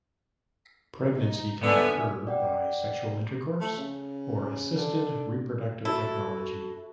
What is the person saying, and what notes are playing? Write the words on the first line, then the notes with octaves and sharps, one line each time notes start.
Pregnancy can occur by sexual intercourse or assisted reproductive technology.
D#4
D3 B3 E5 G#5
D5 F#5 G5
A3
C#3
D3
E4 F#4 A4